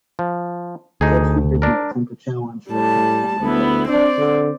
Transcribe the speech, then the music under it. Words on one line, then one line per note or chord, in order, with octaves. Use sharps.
Such speakers may attempt to challenge or transform their audiences.
F3
D2 D#4 G#4
D4 A#4
A2 G3 A5
D2 B3 E4
C4 D4 D5
D3